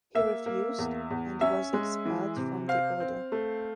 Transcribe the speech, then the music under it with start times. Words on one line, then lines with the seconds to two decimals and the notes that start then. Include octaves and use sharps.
He refused and was expelled from the order.
0.15 A#3 E5
0.46 A#3
0.78 E2
1.11 E2
1.41 C#4 E5
1.73 G#3
2.05 E3
2.36 C3
2.68 C4 F5
3.00 C4
3.32 A3